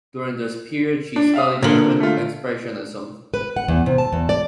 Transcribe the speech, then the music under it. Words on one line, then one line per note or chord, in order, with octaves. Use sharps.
During this period she studied German Expressionism.
D4
E5 F5 D#6
A#2 D3 A#4 F#7 G7
A3 F4
B4
F#5
E2
C3
A5
E2
D5